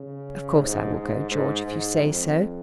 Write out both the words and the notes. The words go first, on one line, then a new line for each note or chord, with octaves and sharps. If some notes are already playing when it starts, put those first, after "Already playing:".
Of course I will go, George, if you say so.
Already playing: C#3
G#2
G#2
G#2
G#2
F2